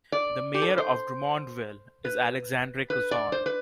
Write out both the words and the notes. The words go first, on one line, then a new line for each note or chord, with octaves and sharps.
The mayor of Drummondville is Alexandre Cusson.
D5
G4
A4
B4
C5
B4
B4
D5
C5
B4